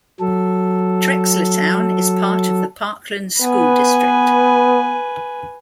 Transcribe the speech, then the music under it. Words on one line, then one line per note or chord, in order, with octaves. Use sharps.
Trexlertown is part of the Parkland School District.
F#3 A4
B3 B4 G#5